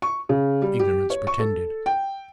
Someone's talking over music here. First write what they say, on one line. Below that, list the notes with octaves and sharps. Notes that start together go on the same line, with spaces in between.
Ignorance pretended.
C#6
C#3
G3
G4
C#5
C#6
A4
G5